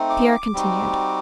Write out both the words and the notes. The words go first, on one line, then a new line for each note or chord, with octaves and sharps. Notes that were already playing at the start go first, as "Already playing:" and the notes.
Pierre continued.
Already playing: A3 C4 D#4
D6
D6
G3 C4 D#4 F#4